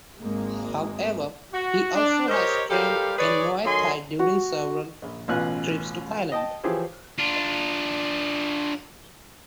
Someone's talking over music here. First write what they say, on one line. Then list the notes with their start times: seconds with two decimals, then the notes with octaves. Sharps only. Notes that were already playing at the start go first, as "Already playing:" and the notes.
However, he also has trained in Muay Thai during several trips to Thailand.
0.19 G#1 G#3 A#3
1.53 F#4
1.95 D4
2.28 G4 A#4 C5 C#5 D#5
2.69 G3 G4 A4 A#4 C5 F5
3.18 G#4 B4 C#5 D5
3.64 D#3 F#3 A4 G#5 C6
4.19 F#4
5.02 A#1
5.28 A1 B2 C#4 F4 G#5 F#6
6.32 D#5 G5 A5
6.64 E3 F3 G4 G#4 C5 C#5
7.18 D4 F4